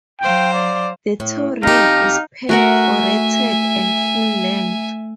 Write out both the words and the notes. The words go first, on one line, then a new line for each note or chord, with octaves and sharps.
The toe rail is perforated and full length.
F#3 C5 F5 G5
D5
A2
F2 D#4 G4 F5 A#6
A3 F#4 A#4 E5 F#5 G#5